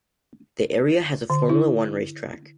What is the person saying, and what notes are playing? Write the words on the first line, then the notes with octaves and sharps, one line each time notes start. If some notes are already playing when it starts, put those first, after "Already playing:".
The area has a Formula One racetrack.
D3
E4